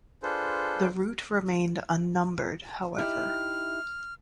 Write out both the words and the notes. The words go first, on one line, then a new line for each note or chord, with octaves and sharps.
The route remained unnumbered however.
D4 F4 G#4 A4 B4 C5
D#4 E4 G4 F6